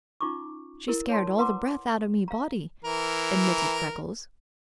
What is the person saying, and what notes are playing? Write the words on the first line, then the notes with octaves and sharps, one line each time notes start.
"She scared all the breath out of me body," admitted Freckles.
C#4 D#4 F4 A#5 C#6 D6
E4 A#4
C#5 A5 C6
B4 F#5 A#5 C6 D6 D#6
F5 A#5
E3 A#4